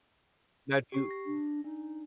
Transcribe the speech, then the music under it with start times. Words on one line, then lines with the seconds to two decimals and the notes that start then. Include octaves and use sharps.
Now, do you
0.92 G4 C#6 C7
1.11 A#6
1.25 D4
1.64 D4 D#4